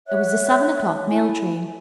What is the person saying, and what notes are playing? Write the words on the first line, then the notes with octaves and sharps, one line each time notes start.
It was the seven o'clock mail train.
C#5 E5 F#5 F#6
E4 G#5